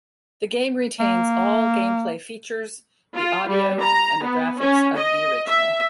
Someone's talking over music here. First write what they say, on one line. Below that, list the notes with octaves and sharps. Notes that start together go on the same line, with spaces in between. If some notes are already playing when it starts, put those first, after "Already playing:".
The game retains all gameplay features, the audio and the graphics of the original.
A#3
F4
G3
A#5
B3
C#4
D#5
E5